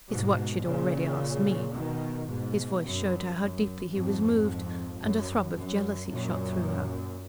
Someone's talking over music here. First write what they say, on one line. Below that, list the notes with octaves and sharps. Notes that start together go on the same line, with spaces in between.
"It's what she'd already asked me." His voice showed her how deeply he was moved, and a throb of jealousy shot through her.
G#2 B2
A#2 C#3
B2 D#3
G#2 B2
F#2
F#2
F2 G#2
F#2
F#2
F#2 A#2